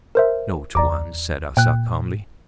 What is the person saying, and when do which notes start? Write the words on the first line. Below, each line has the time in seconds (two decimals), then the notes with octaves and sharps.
"No, Tuan," said Arsat, calmly.
0.15 A#4 C5 E5
0.75 E2 D5 A#5 D6
1.57 A#2 G5 F#6